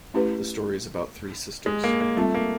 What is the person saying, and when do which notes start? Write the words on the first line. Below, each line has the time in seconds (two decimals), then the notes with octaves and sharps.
The story is about three sisters.
0.14 A3 C#4 E4 G4 B4
1.66 G#3
1.84 A#3
2.01 A#3
2.17 G3 A3 C4 F4
2.35 A#3